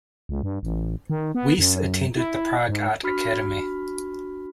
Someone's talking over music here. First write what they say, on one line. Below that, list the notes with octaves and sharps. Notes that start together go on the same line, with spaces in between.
Weiss attended the Prague Art Academy.
C#2
G2
A1
D#3
B3
F#2
E4
G#2
D4 F#4 B5 F6 B6